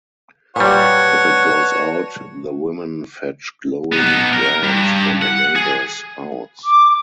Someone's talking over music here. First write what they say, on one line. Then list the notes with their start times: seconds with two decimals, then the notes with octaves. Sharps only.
If it goes out, the women fetch glowing brands from a neighbor's house.
0.56 A#2 G3 F#4 B4 C#5 D5 A5
3.93 B3 D#4
4.34 A#4
4.64 G2
5.23 F#5
5.56 G#4
6.65 D6